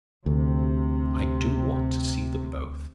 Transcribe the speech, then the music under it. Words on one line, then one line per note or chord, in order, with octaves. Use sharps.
"I do want to see them both."
D2 C3